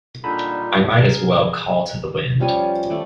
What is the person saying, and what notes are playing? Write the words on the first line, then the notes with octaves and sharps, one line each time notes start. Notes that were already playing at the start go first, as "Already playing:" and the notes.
I might as well call to the wind.
A#2 D3 G3 D#4 F4 B5
G#4 A#4
F3 G3 C#4 G#5
F3 A3 D5